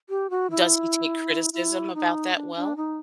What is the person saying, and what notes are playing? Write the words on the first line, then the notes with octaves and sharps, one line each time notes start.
Does he take criticism about that well?
G4
F#4
E4
E4
D#4
D4
D4
D#4